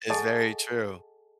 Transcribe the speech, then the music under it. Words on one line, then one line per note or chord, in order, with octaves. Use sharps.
It's very true.
G#4 A4 D#5 F#5 G#5 A5